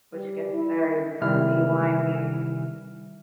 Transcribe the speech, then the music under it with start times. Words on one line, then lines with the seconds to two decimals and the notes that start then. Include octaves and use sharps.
which gets very timey-wimey.
0.12 G3
0.52 E4
1.22 C3 D#3 G3 E4 E5 F6